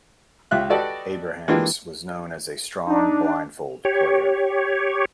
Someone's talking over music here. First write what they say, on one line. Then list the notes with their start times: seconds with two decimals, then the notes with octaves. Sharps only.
Abrahams was known as a strong blindfold player.
0.51 C#2 F4 G4 E5 F5 F#6
0.70 F#4 G4 A4 B4 D5 D#5
1.48 E3 G#3 A#3 D4 F4 G4
2.87 D4 D#4
3.85 G4 C#5